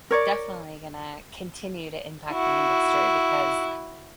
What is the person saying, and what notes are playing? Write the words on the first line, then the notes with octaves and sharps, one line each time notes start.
definitely gonna continue to impact the industry because,
A#4 C#5 D5
E4 F#4